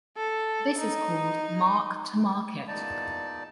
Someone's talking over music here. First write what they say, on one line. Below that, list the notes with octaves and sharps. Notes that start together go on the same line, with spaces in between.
This is called "mark to market".
A4
D#4
E2 A#2 D#4 D5 A5